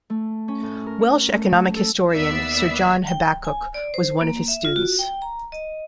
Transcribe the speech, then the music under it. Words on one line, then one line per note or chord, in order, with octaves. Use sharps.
Welsh economic historian Sir John Habakkuk was one of his students.
A3
C#4
A2
A#4
A3
A4
D#2 B3 D5 E5 E6 C7
G5
G#5
D5
C5
A#3
E5
F4
F#4
G5
A#5
D#5